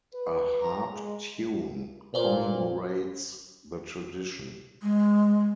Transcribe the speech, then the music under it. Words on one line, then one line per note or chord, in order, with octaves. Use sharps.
A harp tune commemorates the tradition.
B4
A#5
G#3
A#2 B4 C5 D5
G#3